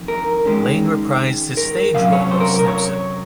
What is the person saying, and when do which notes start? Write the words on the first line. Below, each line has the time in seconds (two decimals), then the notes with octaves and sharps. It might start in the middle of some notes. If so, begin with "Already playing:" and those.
Lane reprised his stage role of Snibson.
Already playing: F2 D#3
0.08 A#4
0.46 G#2 D#3 G#3 C#4
1.57 A#4
1.94 C3 F#3 C#4 F5
2.12 C#5
2.31 C5
2.40 A#4
2.59 A#4
2.68 C#5